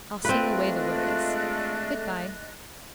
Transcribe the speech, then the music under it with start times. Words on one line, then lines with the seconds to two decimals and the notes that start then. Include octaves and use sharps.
I'll sing away the worries, Good-bye.'
0.25 G#3 A3 C4 D4 F4 B4 D#5 F#6